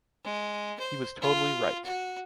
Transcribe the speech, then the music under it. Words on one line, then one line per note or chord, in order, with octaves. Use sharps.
He was totally right.
G#3
C5
F4
F#4